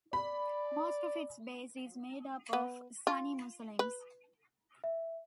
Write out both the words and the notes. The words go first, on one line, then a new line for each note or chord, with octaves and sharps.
Most of its base is made up of Sunni Muslims.
D5 B5
B3
F4
B4
E5